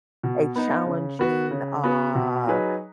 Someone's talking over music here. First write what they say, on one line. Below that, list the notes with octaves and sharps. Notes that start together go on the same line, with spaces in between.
a challenging, uh
B2
B3 D#4
C#3
B3 F#4 B4
C#3
B3 F#4 B4
B2
F#3 D#4 G#4 B4